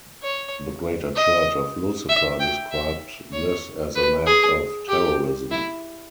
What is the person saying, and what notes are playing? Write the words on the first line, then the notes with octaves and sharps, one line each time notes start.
The Greater Church of Lucifer described this as an act of terrorism.
C#5
D#5
E5
G5
E5
C#5
B4
G#4
G4
E4